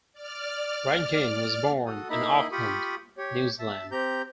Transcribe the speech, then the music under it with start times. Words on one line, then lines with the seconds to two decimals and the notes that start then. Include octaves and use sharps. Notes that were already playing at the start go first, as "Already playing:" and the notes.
Rankin was born in Auckland, New Zealand.
0.13 D5 F6
1.86 F#4 A4 D#6
2.10 A#3 D#4 E4 D#5 B5
2.52 F4 G4 B5 C#6 D#6
3.18 G4 C#5
3.59 E5 A5
3.92 C4 G4 A#5 G6